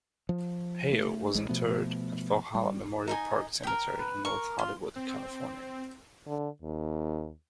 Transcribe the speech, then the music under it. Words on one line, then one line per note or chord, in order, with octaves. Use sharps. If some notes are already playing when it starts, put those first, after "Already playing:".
Hale was interred at Valhalla Memorial Park Cemetery in North Hollywood, California.
F3
A3
A1 G#3
B2 F3 A3 B3
G3
D#4 D#5 G#5
A#4 G5
B4
A#4 C#6
F4 C6
C4
D3
D#2